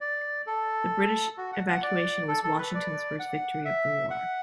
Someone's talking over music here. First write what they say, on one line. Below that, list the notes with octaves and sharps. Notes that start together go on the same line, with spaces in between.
The British evacuation was Washington's first victory of the war.
D5
A4
F#4
F#5
F#5
D5
A4
A4
B4
D5
F#5
E5
F#5